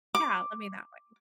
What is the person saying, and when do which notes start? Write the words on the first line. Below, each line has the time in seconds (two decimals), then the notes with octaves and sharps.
yeah, I mean that way.
0.15 D6